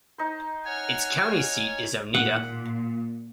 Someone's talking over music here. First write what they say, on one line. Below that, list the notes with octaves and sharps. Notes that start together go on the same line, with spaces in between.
Its county seat is Onida.
D#4 C5
C#5 F#5 G#5 F6
A#2 F#5